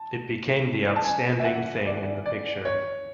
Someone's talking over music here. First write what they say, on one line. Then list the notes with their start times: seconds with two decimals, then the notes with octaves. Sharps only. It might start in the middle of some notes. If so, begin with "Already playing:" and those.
It became the outstanding thing in the picture.
Already playing: A5
0.96 A5
1.04 G#5
1.40 E5
1.45 F#5
1.86 D5
2.26 D5
2.65 C#5